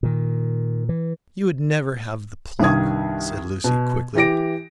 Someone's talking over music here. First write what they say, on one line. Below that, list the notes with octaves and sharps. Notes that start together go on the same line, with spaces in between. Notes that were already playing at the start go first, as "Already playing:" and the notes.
"You would never have the pluck," said Lucy, quickly.
A#2 D#3
E3
C2 G2 D#3 D#6 G#6
B2
E3 G4 A#6 D7